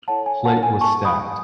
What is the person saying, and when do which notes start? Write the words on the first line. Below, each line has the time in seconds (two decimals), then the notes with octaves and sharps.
Plate was stacked.
0.08 E4 A4 C#5 F#5 A5
0.26 G#5
0.45 F#5 A5
0.63 G#5
0.81 A5 C#6
1.05 B5 D#6